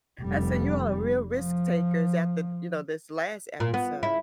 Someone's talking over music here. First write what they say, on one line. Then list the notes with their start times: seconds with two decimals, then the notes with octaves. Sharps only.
I said "You are real risk takers after, you know, this last episode."
0.20 F1 G3
1.34 F3
3.60 A#2
3.74 B3
4.03 E4